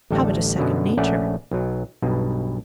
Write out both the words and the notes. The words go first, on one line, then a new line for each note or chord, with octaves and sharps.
Habit is second nature.
A1 D2 G3 A4 G5
F#2 B2 D3 F#3
A#1 A3 C#4 D5 F#5
B1 F#3
B1 G2 B2